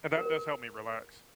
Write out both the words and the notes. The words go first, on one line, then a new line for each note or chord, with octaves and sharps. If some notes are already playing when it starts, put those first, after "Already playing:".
and that does help me relax.
A#4